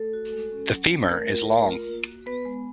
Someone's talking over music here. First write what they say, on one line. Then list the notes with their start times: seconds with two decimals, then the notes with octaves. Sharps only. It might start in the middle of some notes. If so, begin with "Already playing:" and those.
The femur is long.
Already playing: A3 A4
0.13 F#4
0.32 G#3
0.52 C#4
0.71 F#3
0.91 C#4
1.10 A3 A#4
1.29 F4
1.49 A3
1.68 F4
1.87 A#3
2.07 F#4
2.26 B3 B4
2.45 G#3